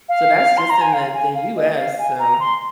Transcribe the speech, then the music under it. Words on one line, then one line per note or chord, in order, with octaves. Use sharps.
so that's just in the the US, so
F5
C6
A#5
G#5
F5
G#5
F5
D#5
F5
G#5
A#5
C6